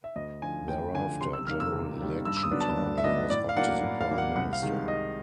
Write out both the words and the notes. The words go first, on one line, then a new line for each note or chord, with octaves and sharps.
Thereafter, general election timing was up to the Prime Minister.
E5
D2 D#5
D3 F3 G#5
D2 G5
D3 F3 G#5
C3 C6
E6
D#3 G3 A#3 F6
E6
C3
D#3 G3 A#3
G2 E6
E6
D#6
D3 F#3 B3 D4
A5
G2
E5
D3 F#3 B3 D4 D#5
A2 D5
F5
F#3 A#3 D4 F#5
A2
F5
F#3 A#3 D4
F#5
C2 F#5
F5
C3 D#3 G#3
C2 D#5